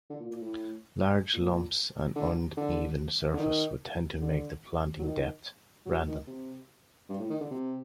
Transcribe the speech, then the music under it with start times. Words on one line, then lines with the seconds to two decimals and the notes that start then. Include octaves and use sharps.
Large lumps and uneven surface would tend to make the planting depth random.
0.10 D3
0.20 A#2
0.31 A#2
0.41 A2
1.34 A#2
2.16 D3
2.57 D3
3.34 D3
3.39 D#3
4.22 D3
4.99 F#3
5.04 D#3
5.86 F#3
6.07 D#3
6.27 C3
7.09 G2
7.20 A2
7.30 D#3
7.41 D3
7.51 C3